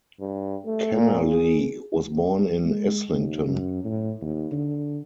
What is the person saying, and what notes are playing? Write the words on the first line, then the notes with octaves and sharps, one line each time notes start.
Kennerley was born in Islington.
G2
A3
A#2
G#4
G#3
D#2
F#2
A2
D#2
D3